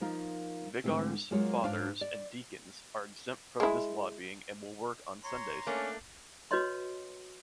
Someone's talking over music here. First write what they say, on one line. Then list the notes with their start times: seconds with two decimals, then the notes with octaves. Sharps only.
Vicars, Fathers, and Deacons are exempt from this lobbying and will work on Sundays.
0.01 F3 A#3 D#4 F4 A#4
0.84 G#2 D3 G#3 A3 C4 E4
1.31 F#3 G#3 A#3 F4 G#4 C#5
1.64 G#2 D4 F4 C#5 F5
2.01 D5
3.60 G#3 E4
5.24 C#5 A#5 C6
5.67 A3 A#3 C#4 D4
6.51 F#4 B4 C#5 D#5 C6